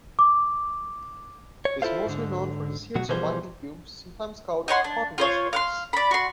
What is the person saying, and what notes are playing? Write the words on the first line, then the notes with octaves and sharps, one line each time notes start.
He is mostly known for his series of Viking films, sometimes called "Cod Westerns".
D6
C#5
E4 F4 A4 C5 F5
G#2 D3
B2 F#3 F#4
B2 E3 F3 G3 G#4 C5
D#4 C#5 F#5 C6
D4
F4 C5 C#5
F5 F#5 C6
D5 B5
F#4 C6